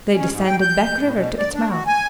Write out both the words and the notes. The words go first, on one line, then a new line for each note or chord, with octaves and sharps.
They descended Back River to its mouth.
C#4
G#2
G5
G6
A2
B2
D5
D4
F#4
G#5